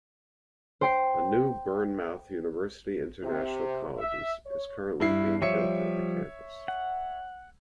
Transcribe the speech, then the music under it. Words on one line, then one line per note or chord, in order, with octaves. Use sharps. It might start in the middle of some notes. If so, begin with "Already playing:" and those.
A new Bournemouth University International College is currently being built at the campus.
C5 G5 C7
C3
E5
C#5
G2 E4 C7
F3 G3 C#5 E5 C#7
F#5